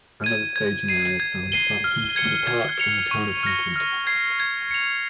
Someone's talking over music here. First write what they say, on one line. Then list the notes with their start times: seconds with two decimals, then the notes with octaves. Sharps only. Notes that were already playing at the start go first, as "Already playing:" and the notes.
Another staging area is found south-east of the park, in the town of Hinton.
0.24 G#6 D#7
0.56 G#6
0.89 C7 D#7
1.20 G#6
1.52 C7 D#7 G7
1.84 F6
2.16 G#6 C#7 G7
2.47 G#6
2.80 C#7 F7
3.11 C#6
3.43 F6 A#6
3.76 F6
4.07 G#6 C7
4.40 G#6
4.71 C#7 F7